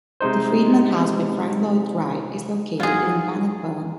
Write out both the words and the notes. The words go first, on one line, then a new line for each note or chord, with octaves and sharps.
The Friedman house by Frank Lloyd Wright is located in Bannockburn.
C3 G#3 D#4 C5
F#3 D#4 F4 G#4